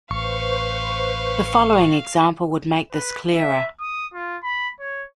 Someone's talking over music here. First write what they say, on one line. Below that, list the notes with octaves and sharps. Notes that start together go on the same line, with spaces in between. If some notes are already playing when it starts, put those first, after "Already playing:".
The following example would make this clearer.
A1 B4 C5 F5 C#6
B4
E5
D#6
F4
B5
C#5